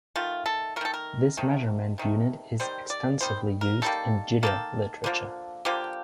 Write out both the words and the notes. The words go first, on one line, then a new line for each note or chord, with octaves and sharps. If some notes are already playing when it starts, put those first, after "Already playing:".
This measurement unit is extensively used in jitter literature.
D#3 A3 F4
A4
D#3 A3 A4 A#4
A#4
C3 D#3 A3
C3 D#3 A3
D#3 G3 C5
D5
D#3 G3 C5
A#4
D#3 G3 A#3 A4
D#3 G3 A#3 A4
D3 F3 A#3
D3 F3 A#3 G4